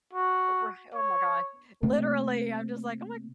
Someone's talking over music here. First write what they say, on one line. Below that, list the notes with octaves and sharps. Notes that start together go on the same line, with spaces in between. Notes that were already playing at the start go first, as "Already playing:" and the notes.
Oh righ oh my god, literally! I'm just like, "Oh my
F#4
C#5
C3 A3 A#3 C4